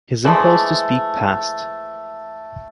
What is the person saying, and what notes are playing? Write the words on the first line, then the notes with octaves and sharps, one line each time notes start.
His impulse to speak passed.
E3 F3 G#3 A3